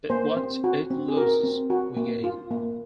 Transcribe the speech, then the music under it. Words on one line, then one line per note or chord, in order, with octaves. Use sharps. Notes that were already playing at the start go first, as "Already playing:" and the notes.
But what Eton loses, we gain.
A#3 C5
C4
F#4
C4
G#4
F#4 A#4
C4
F#4
A#3
F4
A#3